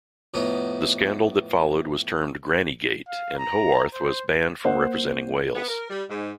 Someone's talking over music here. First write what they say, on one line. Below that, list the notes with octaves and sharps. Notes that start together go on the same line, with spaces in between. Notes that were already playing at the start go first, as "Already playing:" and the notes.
The scandal that followed was termed "grannygate" and Howarth was banned from representing Wales.
F2 A2 B3 D#4
F5
A#5
C5
A#3 C5 F#5
B3
A#4
G3
G#2